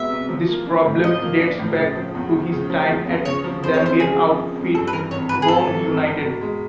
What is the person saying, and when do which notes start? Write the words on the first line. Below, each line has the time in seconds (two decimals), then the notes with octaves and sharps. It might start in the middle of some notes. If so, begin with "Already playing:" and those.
This problem dates back to his time at Zambian outfit Roan United.
Already playing: C2 B2 G#3 B3 E5
0.11 C2
0.29 F3
0.48 A#3
0.66 D4
0.86 A2
1.04 F3 D#5
1.22 A#3
1.41 D4
1.59 A2
1.78 C#3
1.96 F3
2.15 E2
2.33 E2
2.52 C#3
2.70 F3
2.89 E2
3.07 E2
3.25 C#3 C#5
3.44 F3
3.62 F2 C5
3.74 C#5
3.81 F2 C5
3.99 C#3 G#4
4.18 F3
4.37 F2
4.55 F2
4.74 G2 A4
4.87 B4
4.93 E3 A#4
5.11 G#1 C#5
5.29 G#1 B4
5.42 G#4
5.48 G2 A4
5.67 E3
5.85 G#1
6.04 G#1
6.23 B2
6.41 G#3